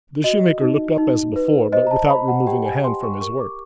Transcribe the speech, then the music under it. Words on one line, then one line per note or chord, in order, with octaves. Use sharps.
The shoemaker looked up as before, but without removing a hand from his work.
F#4 D#5
D#4
D#4
B4
C5 D#5
A#5
A5
C5 B5
F#5
G4 G5
G#5
G4 C6
C#6
A#4 C#6
D6